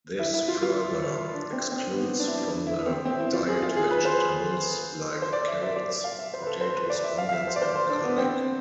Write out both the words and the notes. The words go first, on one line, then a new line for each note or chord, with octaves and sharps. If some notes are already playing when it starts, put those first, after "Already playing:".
This further excludes from the diet vegetables like carrots, potatoes, onions and garlic.
E4
E4
F4
F4
D4
C4
C4
B3
D4
E4
D4
E4
C4
C4
E4
F4
G#4
F4
G#4
B4
C5
C5
D5
E5
E5
D5
F5
E5
C5
B4
A4
C5
B4
D5
E5
F5
F5
E5
C5
D5
C5
C5
D4
B3
C4